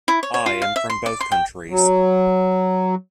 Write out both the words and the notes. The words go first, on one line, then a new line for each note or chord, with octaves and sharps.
I am from both countries.
E4
C#5
C#5
F4
F5
E5
C6
D5
C6
G5
F#3